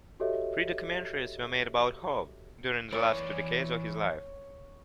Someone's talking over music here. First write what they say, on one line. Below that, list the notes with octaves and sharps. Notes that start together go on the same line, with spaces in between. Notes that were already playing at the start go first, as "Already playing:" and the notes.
Three documentaries were made about Howe during the last two decades of his life.
F#4 G4 A4 C#5 D#5 E5
E3 C#5 D5